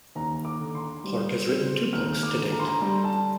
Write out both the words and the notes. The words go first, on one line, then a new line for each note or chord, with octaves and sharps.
Clarke has written two books to date.
D#2 A#5
D6
D3
C6
G3
C4
D#2 F6
D6
D3
A#5
C6
A#5
G3 A#5
A5